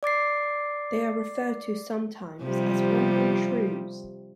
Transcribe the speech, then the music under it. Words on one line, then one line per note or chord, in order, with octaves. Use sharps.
They are referred to sometimes as wandering shrews.
D5 D6 A6 C7
C3 F3 G3